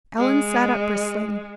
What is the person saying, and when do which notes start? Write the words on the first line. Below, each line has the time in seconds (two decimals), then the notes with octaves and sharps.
Ellen sat up bristling.
0.18 G#3